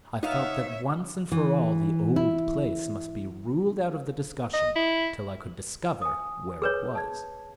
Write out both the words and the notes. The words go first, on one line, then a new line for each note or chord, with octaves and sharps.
I felt that once and for all the "old place" must be ruled out of the discussion till I could discover where it was.
B3 D#4 C#5 E5 F5
E3
E4
D#5
E4
G#5 D#6
G#4 B4 C#5
A5 G#6